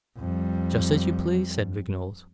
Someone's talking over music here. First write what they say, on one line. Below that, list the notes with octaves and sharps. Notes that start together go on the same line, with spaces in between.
"Just as you please," said Vignolles.
F2 G3